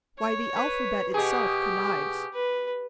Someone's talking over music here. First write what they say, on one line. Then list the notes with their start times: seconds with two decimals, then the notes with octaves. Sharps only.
Why, the alphabet itself connives.
0.20 C#5
0.56 B4
1.14 B2 G4 G#4
2.34 B4